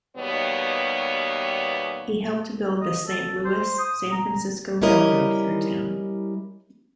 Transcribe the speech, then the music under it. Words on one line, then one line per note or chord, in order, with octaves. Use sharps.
He helped build the Saint Louis-San Francisco Railroad through town.
D#2 B2 G3 B3 C#5
D#5
A4
C5
D#6
A#5
G3 C#4 E4 A#4 D#5